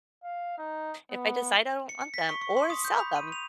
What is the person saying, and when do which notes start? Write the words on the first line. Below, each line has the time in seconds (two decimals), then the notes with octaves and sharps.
if I decide I don't want them or sell them,
0.23 F5
0.58 D#4
1.11 B3
1.89 C#7
2.01 C#7
2.14 B6
2.29 C#6
2.42 C#6
2.57 C6
2.70 D#6
2.85 G6
2.99 B5
3.16 D#7
3.32 F7